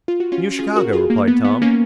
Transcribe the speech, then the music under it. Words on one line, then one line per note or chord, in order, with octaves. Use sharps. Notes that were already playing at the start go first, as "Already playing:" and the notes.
"New Chicago," replied Tom.
F4
F#4
C#4 F4
F4 G#4
F#4 A#4
F4 G#4
A#3
B3
B3
A#3 C#4